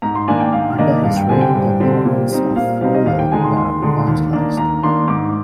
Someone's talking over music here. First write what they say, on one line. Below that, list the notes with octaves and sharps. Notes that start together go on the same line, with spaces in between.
Under his reign the Normans of Rollo were evangelized.
G#2 A#5
C6
D#3 A#3 D4 G#5
G5
G#2 F5
D#3 A#3 D4 D#5
G2 F5
G5
D3 G3 C4 G#5
G5
G2
D3 G3 C4
A#2
G3 C4 D#4
A#2 F5
G3 C4 D#4 F5
D#5
D#2 F5
G5
D3 G#3 D#4 G#5
C6
D#2 C6
D3 G#3 D#4
D#2
D#3 A#3 D4
D#2 A#5
D#3 A#3 D4 C6
G#2 D6